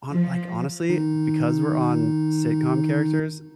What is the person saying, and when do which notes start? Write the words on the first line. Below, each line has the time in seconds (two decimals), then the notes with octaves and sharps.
hon like, honestly, because we're on sitcom characters,
0.12 F3
0.90 D#3 D#4